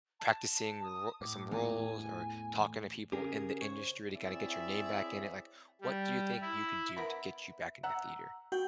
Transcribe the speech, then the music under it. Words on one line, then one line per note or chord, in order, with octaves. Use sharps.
practicing ro some roles or talking to people in the industry to kinda get your name back in it? Like, what do you think you could do to get you back in the theater?
A5
D#6
A2 D6
E2 G#5
C#3 G4 G#4 A#4
C5 C#5
C4 E4 G#4 C#5 D5 E5
G3
E4
B3 A#4 E5 B5
E5 F#5 A#5 E6
F#4 G5